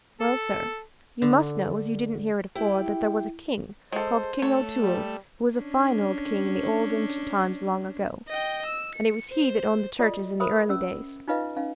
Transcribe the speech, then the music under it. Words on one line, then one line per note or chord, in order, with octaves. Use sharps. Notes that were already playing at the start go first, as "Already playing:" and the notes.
Well, sir, you must know, as you didn't hear it afore, that there was a king, called King O'Toole, who was a fine old king in the old ancient times, long ago; and it was he that owned the churches in the early days.
A4
D3
E4 G4 G5
G#3 A4 C5
A3 C#5
G3
C#4 D4
D#5 G5
E6
C#7
C5
F4 A4 D5 D#5
A#4 C5 E5 B5 D#6
C#4 E6
D#4 F4 B4 D#5 F5
C#4 D#4 F5